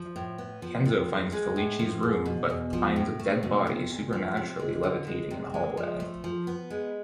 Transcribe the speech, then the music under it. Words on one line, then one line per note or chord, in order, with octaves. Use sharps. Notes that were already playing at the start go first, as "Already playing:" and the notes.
Kenzo finds Fellicci's room but finds a dead body supernaturally levitating in the hallway.
Already playing: F3
A2
B3
F3
C3
E2
G#3
A2
F3
G#2
B2
E2
F3
A2
A3
B2
C3
D2
F3
C3
G#3
D3
G#3
C3
G#3
F3
A3
F3
B3
G#3